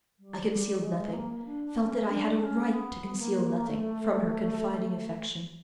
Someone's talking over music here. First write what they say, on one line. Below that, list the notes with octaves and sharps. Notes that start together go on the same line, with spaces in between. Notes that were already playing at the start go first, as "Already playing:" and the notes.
I concealed nothing--felt that I had a right to conceal nothing--from her confiding affection.
G3
G3
G#3
A#3
D4
C#4
D4
C#4
B3
A#3
A3